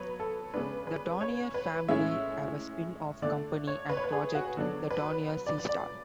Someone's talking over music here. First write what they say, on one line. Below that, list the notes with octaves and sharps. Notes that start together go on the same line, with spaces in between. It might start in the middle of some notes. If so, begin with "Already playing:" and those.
The Dornier family have a spin-off company and project, the Dornier Seastar.
Already playing: F#3 B3 B4 C#5
A4
C#3 G#3 B3 D4 B4
B4
C#5
B4
A2 G#3 C#4 E4 E5
D3 A3 D4 D5
C#5
B4
C#5
B4
G#4
F#4
D3 F#3 B3 D4
B4
D5
D5